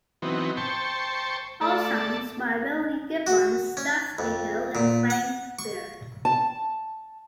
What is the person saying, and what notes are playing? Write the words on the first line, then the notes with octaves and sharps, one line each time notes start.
All songs by Billy Gibbons, Dusty Hill and Frank Beard.
E3 F#3 B3 C4 D#4
C5 G5 A5 C#6
A3 D5 A5
F#4
C#4
F2
A#2
F#5
C#6
A5